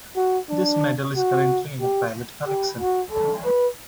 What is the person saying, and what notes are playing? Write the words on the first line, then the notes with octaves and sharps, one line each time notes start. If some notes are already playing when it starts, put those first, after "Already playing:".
This medal is currently in a private collection.
F#4
D4
F#4
G4
G4
F#4
A4
B4